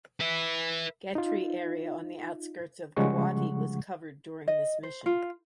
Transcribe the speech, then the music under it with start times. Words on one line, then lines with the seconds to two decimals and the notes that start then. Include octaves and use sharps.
Khetri area on the outskirts of Guwahati was covered during this mission.
0.21 B4 E5
1.15 D#4 F4
2.96 C#3 F3 G3 G#3 F#5 C#6
4.48 D#5
4.83 C5
5.06 F4